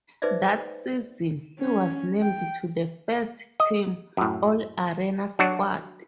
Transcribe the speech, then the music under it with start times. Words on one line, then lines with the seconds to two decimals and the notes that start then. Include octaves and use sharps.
That season, he was named to the First-team All-Arena squad.
0.22 D#4 G#4 B4 C5 D5 E5
1.60 C#4
2.21 G5
3.60 D#5
4.17 F#2 A2
5.39 F#3 D4 F#4